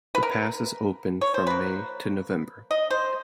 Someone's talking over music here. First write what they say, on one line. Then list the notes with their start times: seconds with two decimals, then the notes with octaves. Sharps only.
The pass is open from May to November.
0.15 B4
0.23 A#4
1.21 C#5
1.34 C5
1.46 F3 A#3 B4
2.71 D#5
2.91 C5